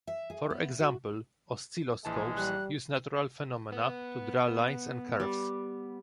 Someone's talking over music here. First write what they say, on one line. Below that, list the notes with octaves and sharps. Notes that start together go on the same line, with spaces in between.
For example, oscilloscopes use natural phenomena to draw lines and curves.
E5
G#4
B3
F#4
A#1 E3 G#3 A5
G3 F#6
B3
G3